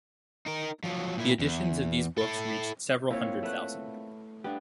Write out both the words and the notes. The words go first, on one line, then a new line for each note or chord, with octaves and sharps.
The editions of these books reached several hundred thousand.
D#4 A#4
F3 F#3
A#2 E4
E2
E4 A4
A#3 C4 E4 F4 C#5
A3 B4 F#5
B3 D4 G4